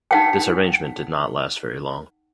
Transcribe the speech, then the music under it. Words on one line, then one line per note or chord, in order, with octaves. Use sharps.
This arrangement did not last very long.
D#4 F#5 G5